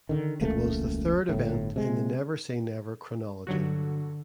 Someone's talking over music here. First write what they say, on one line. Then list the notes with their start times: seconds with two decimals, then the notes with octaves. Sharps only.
It was the third event in the Never Say Never chronology.
0.09 D3 D#3
0.41 E1 C#2 A3 A#3
1.29 G1 A2
1.76 C3 G#3
3.47 G2 D3 F#3 F#4